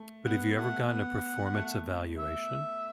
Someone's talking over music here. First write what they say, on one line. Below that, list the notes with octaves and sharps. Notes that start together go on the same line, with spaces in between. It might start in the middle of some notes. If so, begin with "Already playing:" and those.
But have you ever gotten a performance evaluation?
Already playing: A3
B3 F#5
A3 F#5
B3 F#5
A3
E5